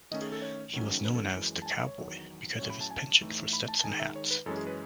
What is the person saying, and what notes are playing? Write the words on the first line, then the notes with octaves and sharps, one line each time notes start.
He was known as "the cowboy" because of his penchant for Stetson hats.
D#3 A3 C#4 D#5
G#4
A4
C#5
G#2 D#3 F#3 A3 C#4
B4
A4
F#2 E3 G#3
A5
G#5
E5
C#5
E2 D#3 F#3
A2 F#3 C#4 C#5
B5
A5
G#5
A5
A2 E3 A3 D#4
B5
A5
A5
D#3 G#3 D#4 G#5
E5
C#5
B4
F#2 E3 G#3 C#4 A4
G#4
B4